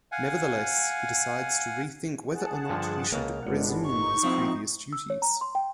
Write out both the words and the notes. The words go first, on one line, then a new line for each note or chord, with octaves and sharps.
Nevertheless, he decides to rethink whether or not he should resume his previous duties.
F5 F#5 G#5
G#4 F#5 A5
G2 D3 F3
C#2 C#3 A#3
G1 G#3 B3 D4 F#5
D#4 C#6
F3 C4 E4
E6
C#5
A#5
C6
G5